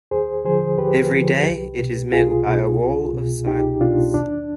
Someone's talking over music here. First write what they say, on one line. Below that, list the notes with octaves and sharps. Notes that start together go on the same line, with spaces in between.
Every day it is met by a wall of silence.
D#2 G#4 C5
D3 F3 G#4 C5
D#2 G4 B4
D3 F3
C2
B2
C2 F4 G#4
B2
C2
B2
C2 D#4 G4
B2 D4 F4
D#2 D4